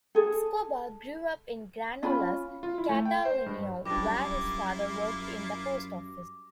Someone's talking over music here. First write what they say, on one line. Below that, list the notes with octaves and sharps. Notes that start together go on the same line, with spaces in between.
Escobar grew up in Granollers, Catalonia, where his father worked in the post office.
G#4 A4
C#4 F4 B5
F4
E4
A3
G5
C5
G2
F#2 G3 A#3 D4 E4 F4 D6 A#6